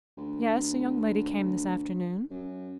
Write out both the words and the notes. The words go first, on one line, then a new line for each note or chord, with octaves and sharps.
"Yes; a young lady came this afternoon."
D2
F#2